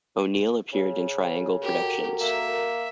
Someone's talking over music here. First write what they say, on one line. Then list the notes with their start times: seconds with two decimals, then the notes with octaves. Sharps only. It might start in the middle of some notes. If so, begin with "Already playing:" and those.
O'Neill appeared in triangle productions!
0.73 C#3
1.62 F#4 G4 A4 A#4
2.20 A#3 E5